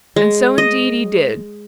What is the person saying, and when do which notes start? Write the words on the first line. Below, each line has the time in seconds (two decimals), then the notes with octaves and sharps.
And so indeed he did.
0.16 G#3
0.58 D#5